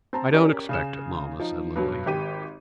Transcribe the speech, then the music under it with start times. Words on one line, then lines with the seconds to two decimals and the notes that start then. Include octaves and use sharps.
"I don't expect it, mamma," said Lily.
0.13 C4 A5 A#5
0.33 C#4 G4 A#4 D5
0.69 C#3 G#4 E7
1.40 F3 D#4
1.76 G2 B2 F#3
2.06 G#1 G4 D#7